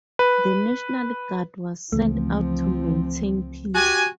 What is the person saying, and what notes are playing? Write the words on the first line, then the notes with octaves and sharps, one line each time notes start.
The National Guard was sent out to maintain "peace".
B4
C#2 C#3 E3 F3 A3 C4
F#4 G4 G#5